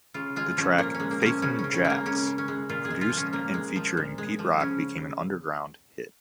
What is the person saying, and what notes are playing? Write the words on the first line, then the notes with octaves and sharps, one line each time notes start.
The track "Fakin' Jax", produced and featuring Pete Rock, became an underground hit.
C#3 F4
G#3 F4
F3 C#4
A#2 A#3
C#4
G#3
A#3
F3 C#4
C#3 C#4
C#4
C#3
C#4
G#3
A#3
C#3 C#4
C#3
C#4
G#3
A#2 F4
G#4
G#3
F4
F3
C#4
A#2 A#3
G#3
F3
A#2
G#3
F3
C#3 C#4